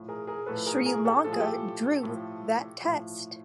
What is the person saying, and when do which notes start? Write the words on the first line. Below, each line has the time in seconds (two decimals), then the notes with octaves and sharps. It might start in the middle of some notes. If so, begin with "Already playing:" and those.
Sri Lanka drew that Test.
Already playing: A2 F3
0.08 G#4 A#4
0.27 G#4 A#4
0.46 A2 F3 A4 B4
0.66 G#4 A#4
0.85 G#4 A#4
1.05 G4 A4
1.24 A2 F3 A4
1.33 G#4
1.40 G4 A4
2.03 A2 F3
2.81 A2 F3